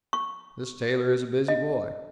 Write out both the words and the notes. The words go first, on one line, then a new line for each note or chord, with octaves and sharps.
This tailor is a busy boy.
C#6
D#5